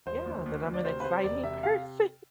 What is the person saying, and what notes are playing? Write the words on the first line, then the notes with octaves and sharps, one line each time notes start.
Yeah. That I'm an exciting person.
E1 C5
D2
D2
D2
D5
C3 C5
B4
C3 C5
E1 D5
C3 E5
C3 F5